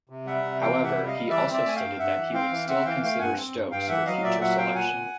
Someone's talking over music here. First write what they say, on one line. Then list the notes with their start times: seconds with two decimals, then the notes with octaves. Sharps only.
However, he also stated that he would still consider Stokes for future selection.
0.09 C3
0.26 G3 E5 F#5
0.43 C3
0.61 E3 F5 G5
0.78 C3
0.83 E5 F#5
0.96 G3
1.07 D#5 F5
1.13 G3
1.30 E3 D5 E5
1.47 C4
1.53 D5 E5
1.65 A3 G#5
1.75 F5 G5
1.82 G2
1.99 G2 E5 F#5
2.17 E3
2.33 C4 F5 G5
2.51 E3
2.68 C4 E5 F#5
2.85 E3 F5 G5
3.03 A3 F5 G5
3.19 G2 F#5 G#5
3.37 C4
3.54 G2
3.71 G2 F5 G5
3.88 E3 E5 F#5
4.06 F#3 D#5 F5
4.23 A#2 D5 E5
4.40 F#3 E5 F#5
4.58 A#2 F5 G5
4.75 A#2 F#5 G#5
4.93 A#2